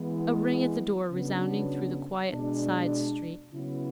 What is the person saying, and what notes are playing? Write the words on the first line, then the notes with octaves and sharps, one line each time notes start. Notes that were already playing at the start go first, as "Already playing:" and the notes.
A ring at the door, resounding through the quiet side street.
Already playing: E3 G#3 B3 E4
C#3 F#3 B3 D4
B2 G#3 D4
C#3 F#3 B3 E4